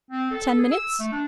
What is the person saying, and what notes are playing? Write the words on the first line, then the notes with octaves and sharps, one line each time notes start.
Ten minutes?
C4
A4
G#4
E6
A3
D4